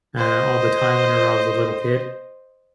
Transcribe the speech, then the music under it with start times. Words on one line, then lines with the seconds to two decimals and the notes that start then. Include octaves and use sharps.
uh, all the time whenever I was a little kid,
0.18 C5 D#5